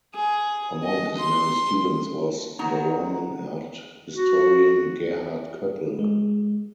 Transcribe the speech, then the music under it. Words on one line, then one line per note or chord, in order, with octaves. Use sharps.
Among his many students was the Roman art historian Gerhard Koeppel.
G#4
D#5
C6
E3 D#4 F#5 A#5
F#4
G#3